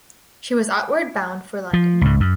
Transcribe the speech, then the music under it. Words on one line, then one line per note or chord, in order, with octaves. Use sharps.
She was outward bound for London.
F3
C#2 G#2
F#2